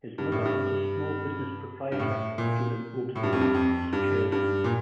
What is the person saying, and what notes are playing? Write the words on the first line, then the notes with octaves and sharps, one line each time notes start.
His mother was a small business proprietor during Oldfield's childhood.
G2
A2
G2
G2
A2
A#2
A2
G2
F2
G2
F2
G2
G2
A#2